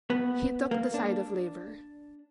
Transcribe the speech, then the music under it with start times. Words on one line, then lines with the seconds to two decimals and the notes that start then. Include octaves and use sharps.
He took the side of labor.
0.10 B3
0.71 A#3
0.94 D4